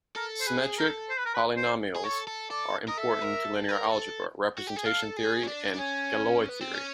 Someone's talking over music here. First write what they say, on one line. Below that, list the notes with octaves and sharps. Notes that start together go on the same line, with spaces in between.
Symmetric polynomials are important to linear algebra, representation theory, and Galois theory.
A4 A#4
C5
G#4 B4
A4 A#4
C5
B4
A#4
B4
C5
G#4
A4 C#5
A4
A4 D5
A#4 D#5
A4 E5
A#4
A4
A#4
A4
F#4
G4
G#4
A4 F5
G#4
C#4
D4
D4
C#4 G#5
B3
C4
C#4